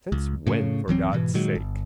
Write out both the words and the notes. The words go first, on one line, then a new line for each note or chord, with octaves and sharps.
Since when, for God' sake?
C#2
A2 C#3
D1 E3 F#3 C4
G#2 B2 E3
A#2 D#3 F#3 G#3
G1